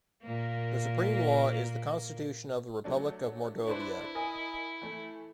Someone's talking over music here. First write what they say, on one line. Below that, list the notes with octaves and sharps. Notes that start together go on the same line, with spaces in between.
The supreme law is the Constitution of the Republic of Mordovia.
A#2 A#3
F#3 A3 D4
D4 E4 B4 C5
A#4 D#5 G#5
E3 A3